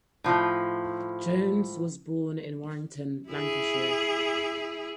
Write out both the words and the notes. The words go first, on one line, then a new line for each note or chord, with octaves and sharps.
Jones was born in Warrington, Lancashire.
A2 F3
E4 G#4